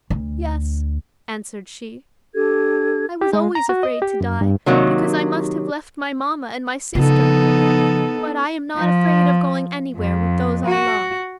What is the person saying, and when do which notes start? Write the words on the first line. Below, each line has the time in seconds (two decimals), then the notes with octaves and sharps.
"Yes," answered she, "I was always afraid to die; because I must have left my mamma, and my sister; but I am not afraid of going anywhere with those I love."
0.10 D2
2.34 D4 G4 A4 G#6
3.21 G4
3.33 G#3
3.55 A#5
3.69 F#4
3.83 D#5
4.02 G4
4.21 F#2
4.41 G2
4.66 C3 D#3 F#3 A#3
6.95 C#3 F3 B3 D#4 A4
8.76 F3
9.96 F2
10.66 F#4